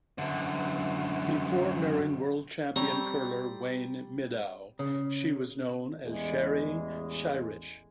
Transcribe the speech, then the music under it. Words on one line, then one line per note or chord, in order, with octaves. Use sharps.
Before marrying world champion curler Wayne Middaugh, she was known as Sherry Scheirich.
F#2 D3
G3 C4 C#5 A#5
C#3
A1 E2 G#3